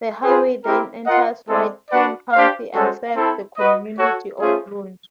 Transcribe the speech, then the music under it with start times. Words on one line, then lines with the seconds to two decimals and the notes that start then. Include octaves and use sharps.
The highway then enters White Pine County and serves the community of Lund.
0.24 C4 F4 G#4 B4
0.65 C4 E4 G4 A#4
1.06 F4 A#4 D#5 F#5
1.49 G#3 C4 E4 A4 D5
1.90 D4 F#4 B4 D5 F#5
2.32 D4 G4 C5 F5
2.73 G#3 C#4 F#4 A4 C5
3.16 C4 E4 A4
3.57 F#4 B4 D#5
3.98 F#4 A4 C#5
4.40 A3 C#4 F4 G#4 C5